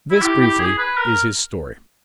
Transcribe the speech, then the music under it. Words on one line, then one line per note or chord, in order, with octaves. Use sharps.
This, briefly, is his story.
E4
E4 G4
G4
G#4
B4
A#4